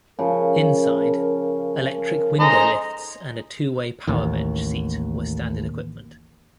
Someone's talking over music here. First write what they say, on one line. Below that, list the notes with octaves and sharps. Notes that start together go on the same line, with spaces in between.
Inside, electric window lifts and a two-way power bench seat were standard equipment.
C#3 F3 A#4
A#4
D#4 A4 C5 D#5 G#5 A#5
A1 D#2